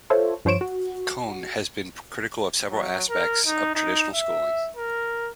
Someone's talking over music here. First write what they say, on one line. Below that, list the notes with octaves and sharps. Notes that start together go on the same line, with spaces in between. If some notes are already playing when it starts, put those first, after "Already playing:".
Kohn has been critical of several aspects of traditional schooling.
F4 A4 C5 C#5 E5
G2 F3 C5 C#5 D7 E7
F#4
F#3
A#4
D#4
D#4
E5
A#4